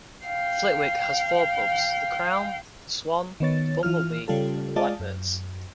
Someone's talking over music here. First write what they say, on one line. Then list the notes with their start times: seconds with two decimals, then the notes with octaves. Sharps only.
Flitwick has four pubs; the Crown, the Swan, the Bumble Bee and the Blackbirds.
0.24 F5 G5
3.40 D#3 B3 C#5 A6
3.83 E3 F4 F6
4.28 C#3 G3 F4 A4
4.76 G#3 F4 D5 D#5 F5 A5
5.00 F#2